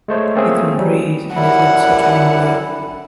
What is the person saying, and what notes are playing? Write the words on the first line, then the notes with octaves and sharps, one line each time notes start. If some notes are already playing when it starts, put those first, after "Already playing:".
He couldn’t breathe and his lips were turning blue.
G#3 A3 C5 C#5
A3 A#3 C4 C#4 G#4
F#3 G3
F#2 G3 E4 F#5